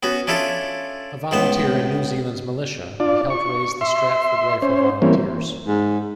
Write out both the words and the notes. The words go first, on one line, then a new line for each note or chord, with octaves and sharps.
A volunteer in New Zealand's militia, he helped raised the Stratford Rifle Volunteers.
B3 C#4 F#4
C#4 D4 E4 F4 A4
C#2 A2 B3 C5
D4 F4 D5
C#6
E5 C6
C#4 C5
E3 G3 A#3 C4 C#4
G#2